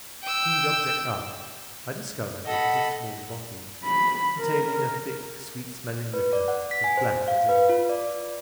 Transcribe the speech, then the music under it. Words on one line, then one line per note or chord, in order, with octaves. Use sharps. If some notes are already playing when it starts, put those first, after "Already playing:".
Picking the object up, I discovered it was a small bottle, containing a thick sweet-smelling liquor, as black as ink.
G5 E6
A4 D#5 F#5 B5
B5
A#4
B4
D5
F#5
B6
G#5
C5
F5
B4
F4
D5